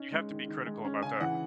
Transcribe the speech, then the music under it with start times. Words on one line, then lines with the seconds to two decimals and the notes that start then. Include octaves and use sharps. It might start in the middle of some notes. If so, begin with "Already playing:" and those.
you have to be critical about that.
Already playing: C#4 D#4
0.12 G#3
0.30 D#3
0.48 D#3
0.66 G#3
0.85 C#4
1.03 C#3 G#5
1.20 E3 F#5